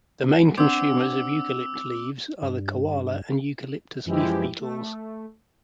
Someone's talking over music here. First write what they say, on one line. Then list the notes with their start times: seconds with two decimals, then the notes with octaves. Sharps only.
The main consumers of eucalypt leaves are the koala and eucalyptus leaf beetles.
0.57 C4 D4 F#5 D6 E6
2.42 G2
4.05 F#2 E3 F3 G#3 E4 G4
4.60 A3